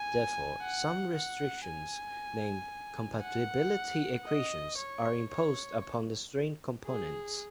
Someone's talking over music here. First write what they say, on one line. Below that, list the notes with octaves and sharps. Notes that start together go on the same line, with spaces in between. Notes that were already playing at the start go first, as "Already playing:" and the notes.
Therefore, some restrictions, named "compatibility equations", are imposed upon the strain components.
Already playing: G#5
F#5
F#5
G#5
F#5
D#5
C#5
C#5
G#4